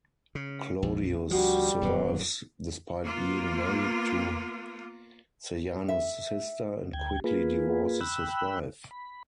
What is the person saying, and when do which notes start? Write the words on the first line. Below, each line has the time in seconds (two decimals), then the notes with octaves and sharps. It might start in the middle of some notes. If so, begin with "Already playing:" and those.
Claudius survives despite being married to Sejanus' sister, and quickly divorces his wife.
0.35 C#3
0.82 A#1 F2
1.31 D2 F3 G3 F#4
1.81 D#1 F#2 D3 B3
3.04 A#3 B3 F4
5.88 E5
6.93 D2 G5 G#6
7.24 A#3 F4 G#4 B4
8.01 G5 B5 E6 F#6
8.91 B5